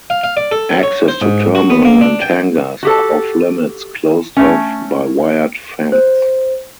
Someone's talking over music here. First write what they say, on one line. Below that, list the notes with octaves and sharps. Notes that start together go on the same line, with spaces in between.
Access to terminal and hangars are off limits closed off by wired fence.
F5
F5
D5
A4
C#5
C5
G#2
F#4
B3
A#3
D4
G5
F#4 G4 A4
A3 C#4
C5